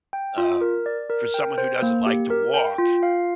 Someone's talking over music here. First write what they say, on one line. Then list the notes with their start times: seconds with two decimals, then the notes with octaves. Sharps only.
um, for someone who doesn't like to walk,
0.13 G5
0.38 F4
0.61 A#4
0.86 D5
1.10 A#4
1.34 G5
1.58 C5
1.82 A#3
2.06 G4
2.30 A#4
2.54 G5
2.78 F4
3.03 F5